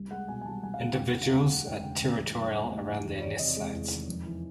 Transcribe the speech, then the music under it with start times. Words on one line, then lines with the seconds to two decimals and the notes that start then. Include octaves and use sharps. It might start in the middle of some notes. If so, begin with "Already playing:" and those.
Individuals are territorial around their nest sites.
Already playing: C2
0.11 G#3 F#5
0.28 B2 G#5
0.41 G#5
0.45 C2 A5
0.63 C2 G#5
0.74 F5
0.80 G#3 F#5
0.97 E1 G5
1.10 F#5
1.15 C#3
1.23 F5
1.32 D2 F#5
1.49 F#3 F#5
1.66 E1 G5
1.83 C#3 G5
2.01 A1
2.18 E3
2.35 G2
2.53 G#3
2.70 A1
2.87 E3
3.04 E2
3.17 C#5
3.22 D#3 D5
3.39 C3 D#5
3.57 G#3
3.73 E2
3.91 D#3
4.08 F2
4.26 E3